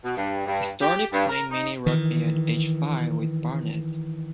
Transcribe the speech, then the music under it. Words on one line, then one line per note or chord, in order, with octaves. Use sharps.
He started playing mini rugby at age five with Barnet.
B2
G2
G2
G4
G2
A#4
D#4
D#3 E3